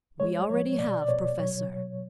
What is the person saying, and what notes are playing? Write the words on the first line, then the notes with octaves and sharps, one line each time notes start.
"We already have, professor."
G#3 C#5
F3 C#5
B2 D5
D5
B2 C#5
F#3 C#5